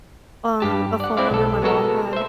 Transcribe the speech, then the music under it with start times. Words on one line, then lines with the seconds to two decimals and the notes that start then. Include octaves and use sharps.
um, a phone number my mom had
0.60 G2 G4 A5
1.00 D5 F#5
1.17 C4 E4 D5 F5
1.31 B1 A4
1.62 G#3 B3 F#4 A4 A#4
2.13 C5 E5